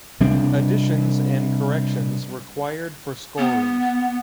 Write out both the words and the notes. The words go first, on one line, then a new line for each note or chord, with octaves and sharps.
Additions and corrections required for scorers.
C3 G3 C4 D4
B3